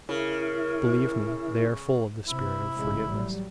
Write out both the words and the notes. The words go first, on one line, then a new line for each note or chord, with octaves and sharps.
Believe me, they are full of the spirit of forgiveness.
C#3 E4 A#4
C3 E4
A1 C#3 G#3
F#3 G3